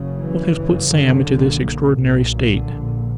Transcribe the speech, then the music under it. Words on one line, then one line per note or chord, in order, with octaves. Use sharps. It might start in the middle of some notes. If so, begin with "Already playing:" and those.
'What has put Sam into this extraordinary state?'
Already playing: F#1 F#2 C#3
E3
G1 F#2 C#3
D3
B1 A#2
B1 A#2
D3
A#1 A#2